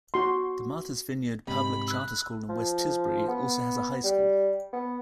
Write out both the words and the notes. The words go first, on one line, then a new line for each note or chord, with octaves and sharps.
The Martha's Vineyard Public Charter School in West Tisbury also has a high school.
F#4 C6
G#2 C3 B5
E6 F#6
F3
B3
G3
B3